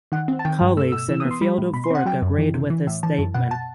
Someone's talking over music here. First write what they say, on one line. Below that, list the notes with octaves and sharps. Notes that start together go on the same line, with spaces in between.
Colleagues in her field of work agreed with this statement.
D#3 F#5
C4
A5
D#3 G5
G2
A3 E6
B2 E6
E3 E6
B3 D#6
C6
G3 B5
A2
B2 B5
C6
C4 F#5
F#3 G5
F#2
E3
C3
E3
A2
E3 A5
F#2
B2 F#5
A5